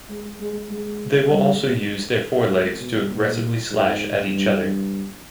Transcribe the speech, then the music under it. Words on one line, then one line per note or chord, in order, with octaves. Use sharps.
They will also use their forelegs to aggressively slash at each other.
G#3
G#3
G#3
G3
G#3
G#3
B2
A#2
G#2
G2
G2